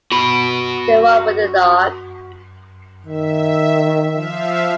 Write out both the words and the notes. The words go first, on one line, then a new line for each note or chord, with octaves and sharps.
The one with the dog.
F#4 B5
D#3 E5
F3 E5 F5